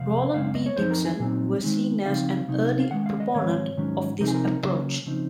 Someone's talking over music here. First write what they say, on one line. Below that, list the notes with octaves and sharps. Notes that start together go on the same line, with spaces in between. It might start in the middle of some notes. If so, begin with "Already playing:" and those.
Roland B. Dixon was seen as an early proponent of this approach.
Already playing: F2 C3 F3 F5
F#2 C#3 G#3 C4 F5
F5
D#5
C#5
F#2 F3 C4 D#4 C5
A#4
G#4
A#2 F#3 C4 D#4
D#3 G#3 C4 D#4
C#3 F3 C4 D#4 F5
C3 F#3 C4 D#4
F5
D#3 G#3 C#4 F#5
F5
D#5
G#2 D#3 G#3 C4 C#5
G#2 D#3 F#3 C#4
C3 F3 C4 D#4 A#4
G#4
A#4
C#3 F#3 A#3 C#4
C#3 F3 C4 D#4